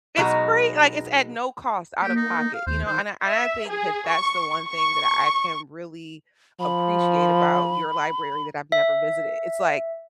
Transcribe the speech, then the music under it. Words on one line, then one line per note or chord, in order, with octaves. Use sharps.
It's free like, it's at no cost out of pocket, you know? And I and I think that that's the one thing that I can really appreciate about your library that I've never visited. It's like,
B2 F#3 G#3 D#4 A#5
A#3 G4
D#4
F5
D#2 C5
D#3 C5
E5
G#4
C#6
C#6
F3 B5
E5